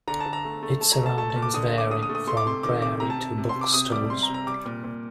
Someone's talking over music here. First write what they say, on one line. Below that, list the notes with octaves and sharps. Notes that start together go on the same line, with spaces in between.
Its surroundings vary, from prairie to box stores.
D3 A#5
A5
D3
A#5
A3
A3
A3 A5
A#5
A3
A5
A3 A5
A5
A#2
D6
D3 D#6
A3
D6
D3 D#6
D#6
A3
D#6
A3 C6
D6
C3 C6
D#3 D6
C3 D6
C3 A#5
A5
C3
C3
C6
C3
D6
C3 D#6
G3 D6
C3 C6
A#5
C3
A#5
G3 D6
A#2
A#2